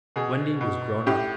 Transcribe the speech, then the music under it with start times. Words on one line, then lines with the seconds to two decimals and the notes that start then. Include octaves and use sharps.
Wendy was grown up.
0.16 B2 G#4
0.61 B2
1.07 A2 G4